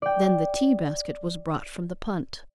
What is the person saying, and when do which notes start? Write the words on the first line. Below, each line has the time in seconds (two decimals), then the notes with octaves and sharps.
Then the tea-basket was brought from the punt.
0.02 D5 G5